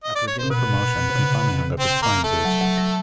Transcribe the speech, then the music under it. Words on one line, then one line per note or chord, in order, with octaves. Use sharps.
After gaining promotion he finally hung up his playing boots.
D#5
D5
C#5
A#2 C5
B2 B3 B4
C3
C#3
C4 C5
A#3 A#4
A3 A4
F#3
F#3
F#3